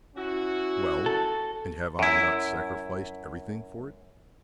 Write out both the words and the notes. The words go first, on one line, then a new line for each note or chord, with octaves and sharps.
"Well, and have I not sacrificed everything for it?"
C#4 E4 F#4
A4
F#2 E4